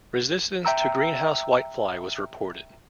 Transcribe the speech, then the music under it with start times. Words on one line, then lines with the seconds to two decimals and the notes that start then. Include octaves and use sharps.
Resistance to Greenhouse whitefly was reported.
0.65 E5 G5 A#5 E6